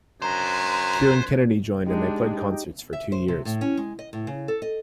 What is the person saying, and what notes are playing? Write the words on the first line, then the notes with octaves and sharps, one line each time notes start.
Kieran Kennedy joined and they played concerts for two years.
F#2 D4 B4 C5 G#5 A#5
G#3 D4 D#4 G4
E5
C5
C3
A2
C#4
G#3
D#5
A2
C#3
A4
D#5